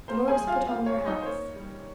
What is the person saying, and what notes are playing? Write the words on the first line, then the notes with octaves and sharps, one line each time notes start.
The lords put on their hats.
A#3 C5 C6
G#4 G#5
G3
F4 F5
C4 F4 F5
C#5
G#3
D#4 D#5
C5
A#3 C#5
G3